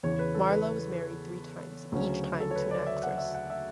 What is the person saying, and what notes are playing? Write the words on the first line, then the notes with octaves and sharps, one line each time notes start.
Marlowe was married three times, each time to an actress.
E2 C#3 E3 C#5
B4
A4
B4
D2 C#3 F#3 C#4
A4
C#5
B4
D5
E5
F#5
E5
F#5
E5